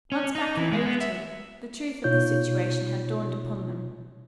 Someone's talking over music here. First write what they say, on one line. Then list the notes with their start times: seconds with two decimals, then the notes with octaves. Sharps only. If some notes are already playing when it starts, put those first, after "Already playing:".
Once back in Overton, the truth of the situation had dawned upon them.
0.12 C#4
0.35 D#4
0.57 E3
0.72 G#3
0.86 B3
1.01 E5
2.04 B2 D#4 F4 C#5 G6